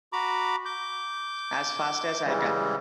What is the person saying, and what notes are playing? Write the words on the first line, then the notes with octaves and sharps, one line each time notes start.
As fast as I can!
F#4 A#5 B5 D6
D6 G6
C#3 E3 G3 G#3